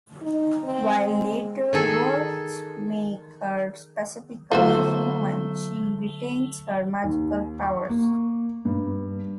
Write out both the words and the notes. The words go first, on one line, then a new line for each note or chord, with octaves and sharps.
While later works make her specifically human, she retains her magical powers.
D#4
C4
G#3
D#3 G#4 A4
D3 F#3 A3 F4 F#4 C5 G7
D#2
C#6
A#3
G2